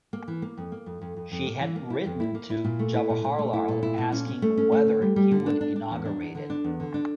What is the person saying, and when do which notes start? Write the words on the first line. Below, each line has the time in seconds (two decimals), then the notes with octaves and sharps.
She had written to Jawaharlal asking whether he would inaugurate it.
0.13 A#3
0.28 E3
0.42 A#3
0.57 F2
0.72 A#3
0.86 F2
1.01 F2
1.17 F2
1.32 F2
1.46 A#3
1.61 E3
1.76 A#3
1.90 E4
2.06 F2
2.20 E4
2.35 A#3
2.50 E4
2.65 A#2
2.79 A3
2.94 E4
3.09 A#2
3.24 A#2
3.39 A3
3.53 E4
3.68 A#2
3.83 E4
3.98 A#2
4.12 C#4
4.28 C#4
4.42 A3
4.57 C#4
4.72 A3
4.87 D3
5.02 G3
5.16 G3
5.31 D3
5.46 D4
5.61 D4
5.76 D4
5.91 E2
6.05 D4
6.20 E2
6.35 D3
6.50 D4
6.64 E2
6.80 D3
6.94 D4